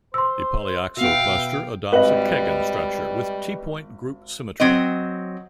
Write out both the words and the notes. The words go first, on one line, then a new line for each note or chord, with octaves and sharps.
The polyoxo cluster adopts a Keggin structure, with T point group symmetry.
C5 C6 E6
B2 B3 E5 F5 G5
G#1 G3 B4 D#5 F#5 F#7
F#3 C4 D#5